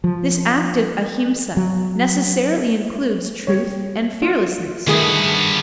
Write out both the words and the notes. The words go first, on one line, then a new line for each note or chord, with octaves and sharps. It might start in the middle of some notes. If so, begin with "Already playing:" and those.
This active Ahimsa necessarily includes truth and fearlessness.
F3
F#3
G3 C#5
F4
G2 D#3 A3 B3 G#4